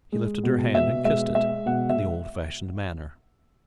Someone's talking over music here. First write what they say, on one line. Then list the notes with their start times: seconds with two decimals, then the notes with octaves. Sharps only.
He lifted her hand and kissed it in the old-fashioned manner.
0.12 G#3
0.43 B2
0.75 B2 E5
1.04 G#3 E5
1.35 G#3 E5
1.66 B2 F#5
1.90 E5